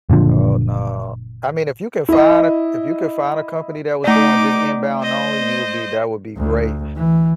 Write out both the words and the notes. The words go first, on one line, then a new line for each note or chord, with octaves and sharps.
Oh, no, I mean if you can find a if you could find a company that was doing just inbound only, you would be that would be great,
F#1 A#2 D3 F3
E4 D#5
A3 D#4 D5 D6
C5 D#5
D2
E3